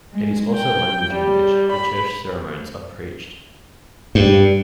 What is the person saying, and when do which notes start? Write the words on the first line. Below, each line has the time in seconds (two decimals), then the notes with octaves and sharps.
It is also the language in which the church sermons are preached.
0.13 G#3
0.57 G5
1.14 G3
1.73 B5
4.15 G2